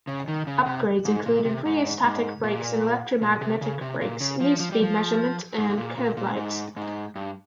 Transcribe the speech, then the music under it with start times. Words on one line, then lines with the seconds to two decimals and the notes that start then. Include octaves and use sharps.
Upgrades included rheostatic brakes and electromagnetic brakes, new speed measurement and curve lights.
0.07 C#3
0.28 D#3
0.47 C#3
0.66 C3
1.05 G#2
1.26 A#2
1.45 C3
1.65 G#2
2.04 G#2
2.43 A#2
3.22 A#2
3.41 C3
3.61 C#3
3.81 C3
4.01 A#2
4.21 C#3
4.41 F3
4.60 F3
4.72 G3
4.83 F3
5.58 G#2
5.69 G#2
5.77 A#2
5.98 A#2
6.17 A#2
6.36 G#2
6.77 G#2
7.16 G2